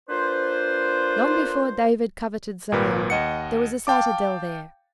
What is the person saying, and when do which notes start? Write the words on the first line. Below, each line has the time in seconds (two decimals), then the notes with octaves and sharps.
Long before David coveted Zion there was a citadel there.
0.09 A#3 D4 F4 B4 C5
2.72 G#1 A#2 A#4 B4
3.10 D#2 D#5 F#5 C#7
3.87 F5 G5 A5 D6